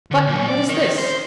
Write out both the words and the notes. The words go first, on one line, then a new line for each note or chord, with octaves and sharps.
But what is this?
D3
A#2 F#3
D5
D#4 A#4
C5